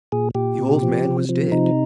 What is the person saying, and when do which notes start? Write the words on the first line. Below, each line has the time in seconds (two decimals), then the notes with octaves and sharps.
The old man was dead.
0.12 A#2 G#4
0.35 A#2 G4
0.58 C3
0.83 F3
1.05 C3
1.29 F3
1.52 C3 D#4